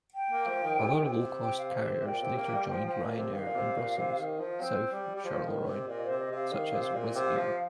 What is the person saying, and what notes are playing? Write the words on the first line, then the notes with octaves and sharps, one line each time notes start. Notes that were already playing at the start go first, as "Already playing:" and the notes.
Other low-cost carriers later joined Ryanair in Brussels South Charleroi, such as Wizz Air.
G5
A#3
F3
D#3
C3
D#3
C3
G5
F5
C5
C5
C3
A#2 G5
C3
A#3
G3
F3
F3
A#2
C3
D#3 F5
A#2
C3
A#2
C3
D#3
F3
C4
G3
G3
F3
D#3
C3
A#2 D#5
C5
C3
D#5
C3 F5
D#3
C3
A#2
C3 F5 G5
F3